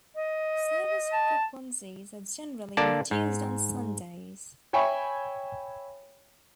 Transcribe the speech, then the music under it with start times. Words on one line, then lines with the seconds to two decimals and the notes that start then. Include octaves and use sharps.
Service frequencies are generally reduced on Sundays.
0.15 D#5
1.12 A5
2.77 D3 A#3 D5 A5
3.11 G#2
4.73 C#5 E5 G5 G#5 B5 C#6